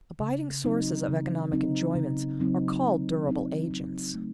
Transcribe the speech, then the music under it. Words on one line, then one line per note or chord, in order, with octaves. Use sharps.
Abiding sources of economic enjoyments are called durable agents.
C#3
F#3 C4 D#4
C#3
F#3 C4 D#4
C#3
F#3 C4 D#4
C#3
F#3 C4 D#4
F#3
A3